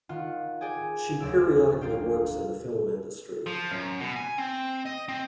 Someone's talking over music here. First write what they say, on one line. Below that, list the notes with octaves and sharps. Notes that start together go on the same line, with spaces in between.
She periodically works in the film industry.
D#3 F4 F#5
G#4 D5 G5 G#5
F1 D2 F#3 D5 E6
A#3 D4 F4 D5 G5
F3
F#2
B2
G#5
C4
D#5
C4